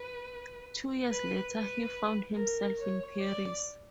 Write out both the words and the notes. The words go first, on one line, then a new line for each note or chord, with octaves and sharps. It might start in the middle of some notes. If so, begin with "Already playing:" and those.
Two years later he found himself in Paris.
Already playing: B4
B4
B4
A#4
C#5
D5